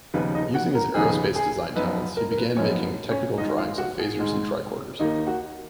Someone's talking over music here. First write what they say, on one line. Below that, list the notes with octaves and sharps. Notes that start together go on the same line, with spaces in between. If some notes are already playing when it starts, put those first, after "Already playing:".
Using his aerospace design talents, he began making technical drawings of phasers and tricorders.
D#2 C#3 F3 B3 D#4 B4
D#4 D#5
F#4 F#5
A#4 A#5
D#2 C#3 F3 B3 D#4 G#4 G#5
G#4 G#5
F#2 F3 B3 D#4 B4
A#4
A#4
B4
F#2 F3 B3 C#4 D#4 C#5
C#4 C#5
G#2 D#3 G#3 D#4 D#5
F4 F5
F#4 F#5
G#4 G#5
G#2 D#3 G#3
D#2 D#3 A#3 D#4
F#4 F#5